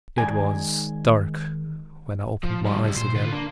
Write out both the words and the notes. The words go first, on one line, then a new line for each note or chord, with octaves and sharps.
It was dark when I opened my eyes again.
D#3 G#3 D5 G#5
F3
D3 F3 G3
C#2 E4
A#2 C5
D3 F4 B4
A#3 D4